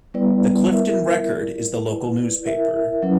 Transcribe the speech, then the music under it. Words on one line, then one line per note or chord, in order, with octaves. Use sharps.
"The Clifton Record" is the local newspaper.
G3 B3 E4 B4 D5
E4 A#4 E5
E4 A#4 D5
E4 B4 D5
E4 A#4 E5
F#3 C#4 E4 B4